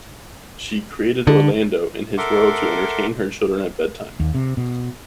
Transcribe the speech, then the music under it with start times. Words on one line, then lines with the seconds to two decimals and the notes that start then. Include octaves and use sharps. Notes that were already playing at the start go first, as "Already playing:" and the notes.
She created Orlando and his world to entertain her children at bedtime.
1.27 D3
2.18 A4 A#4 E5 F#5 C6 D6
4.20 D#2
4.35 C3
4.57 B2